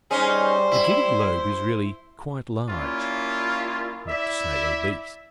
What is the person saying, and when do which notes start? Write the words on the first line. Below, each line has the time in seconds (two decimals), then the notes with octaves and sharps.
The Giddy Globe is really quite large, not to say obese.
0.11 G3 C#4 D#4 G#4 C5
0.72 E4
2.69 G3 A#3 C#4 E4 F4
4.08 E4 D5 E5